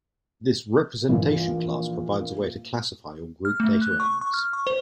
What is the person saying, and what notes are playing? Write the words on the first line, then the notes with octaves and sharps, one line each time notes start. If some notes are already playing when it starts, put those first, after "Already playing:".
This "representation class" provides a way to classify or group data elements.
A#1 A#2 E3
F6
A3
F#6
C#6
C#6
F6
C#6
C5